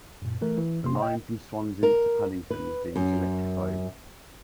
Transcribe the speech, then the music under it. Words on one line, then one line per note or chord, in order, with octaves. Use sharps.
The line from Swansea to Paddington is being electrified.
F#2 A#2
E3 A3 A#4
E3
C3 A#3 C6
D#5 G5
A#4
B4
F#2